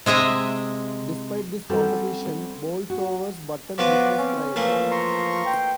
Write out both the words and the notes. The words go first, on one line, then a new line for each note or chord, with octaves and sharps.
Despite this competition, Boulsover's button business thrived.
C3 G#3 D#5 E5
G3 C4 C#4 F#4 A4
F#4
F3 B3 F4 F#4 C#5 D6
C4 C#4
E3 F3 A3 A#3
A#5 C6 C#6
G5